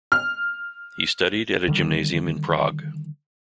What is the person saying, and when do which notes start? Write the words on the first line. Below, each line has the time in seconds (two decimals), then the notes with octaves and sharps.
He studied at a gymnasium in Prague.
0.12 F6
1.68 D3 D#3 G3